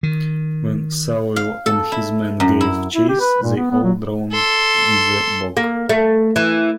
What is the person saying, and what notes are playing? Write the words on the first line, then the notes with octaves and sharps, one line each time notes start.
When Sawyl and his men gave chase, they all drowned in the bog.
D#3
F5
A4
E4
F#2
E4
E4
G4
B4
A#2
B3
B3
F#3
A4 C6
A#3
A3
E3